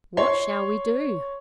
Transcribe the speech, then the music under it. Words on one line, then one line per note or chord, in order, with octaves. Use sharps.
What shall we do?
C#5 C6